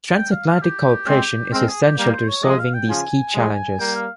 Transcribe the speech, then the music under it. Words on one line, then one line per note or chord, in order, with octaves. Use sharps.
Transatlantic cooperation is essential to resolving these key challenges.
G5
F5
F5
G4
G#3 C4
G#3 C4 A#4
G#4
G4
G3 A#3 G4
C5
C#5
F3 G#3 D#5
F5
G5
C#3 F3 G#5
F3 G#3
G3 A#3 G5
F5